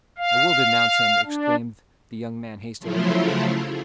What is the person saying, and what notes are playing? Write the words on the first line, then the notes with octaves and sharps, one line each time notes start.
"I will denounce him!" exclaimed the young man hastily.
F5
D4
C#3 F3 F#3 A3 E4 F4